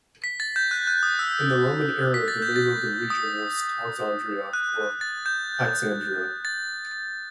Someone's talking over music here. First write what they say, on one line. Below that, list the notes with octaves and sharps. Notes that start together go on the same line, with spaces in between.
In the Roman era the name of the region was Toxandria or Taxandria.
B6
A6
G6
F#6
F#6
D#6
E6
B6
A6
G6
A6
D#6
F#6
A6
G6
A6